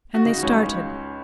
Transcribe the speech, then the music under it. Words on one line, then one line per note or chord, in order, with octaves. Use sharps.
And they started.
F#4
C#3 D#4
C#2 C#4